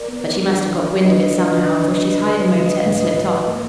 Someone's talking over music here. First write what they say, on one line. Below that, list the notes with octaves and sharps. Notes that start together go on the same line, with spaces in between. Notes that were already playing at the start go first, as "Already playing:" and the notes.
But she must have got wind of it somehow, for she's hired a motor and slipped off.
Already playing: A#4 D5
B3
D4
F#3
D4 B4 D#5
D3
D4
D3
D3
D3
G#2
G#2
A#3